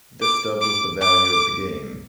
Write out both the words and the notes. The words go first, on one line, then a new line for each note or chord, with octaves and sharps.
This doubles the value of the game.
D6
D6
D6